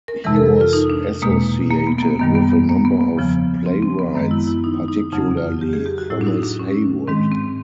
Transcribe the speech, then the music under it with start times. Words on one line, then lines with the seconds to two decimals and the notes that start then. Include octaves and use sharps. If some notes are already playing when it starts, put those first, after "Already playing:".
He was associated with a number of playwrights, particularly Thomas Heywood.
0.08 A#4
0.24 F2 C3 E3 G#3 A#4
0.36 A4
0.61 F4
0.73 D#4
0.90 D4
1.22 E2 B2 G#3 A#3
1.71 A#3
1.87 B3
1.98 B3
2.03 A#3
2.19 F#2 D#3 G3 B3
2.35 B3
2.52 B3
2.69 A#3
2.85 B3
3.01 B3
3.17 E2 C#3 F3
3.66 C4
3.83 C4
3.99 B3
4.15 F#2 D#3 G#3 B3
4.31 E4
4.47 E4
4.64 D#4
4.88 D#4
5.12 F2 C#3 F#3 D#4
5.37 F4
5.61 G4
5.73 G#4
5.86 G4
5.98 F#4
6.10 A2 F#3 E4
6.21 D4
6.27 D#4
6.43 D4
6.59 C#4
7.08 G#2 D#3 G#3 C4
7.32 C4